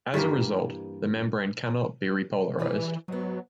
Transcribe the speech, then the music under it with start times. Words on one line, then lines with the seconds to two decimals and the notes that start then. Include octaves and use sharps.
As a result, the membrane cannot be repolarized.
0.14 G2 E3 G3 A#3
2.59 E3 G3 G#4 B4
3.08 G#2 F#3 B3